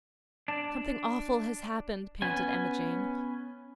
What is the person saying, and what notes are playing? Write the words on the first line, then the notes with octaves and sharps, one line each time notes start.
"Something awful has happened," panted Emma Jane.
D4
B3 C#4 G#5